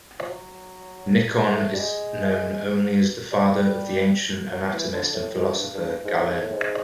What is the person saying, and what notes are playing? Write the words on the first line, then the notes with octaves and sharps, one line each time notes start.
Nicon is known only as the father of the ancient anatomist and philosopher, Galen.
F3
F#3
A3
G3
G#3
G3
F#3
E3
D3
A2
G#2
G2
G2
G#2
A2
G#2
A2
G#2